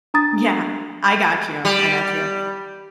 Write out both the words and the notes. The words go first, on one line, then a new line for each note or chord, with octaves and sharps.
Yeah. I got you. I got you.
D4 A#5 D#6 A6
G3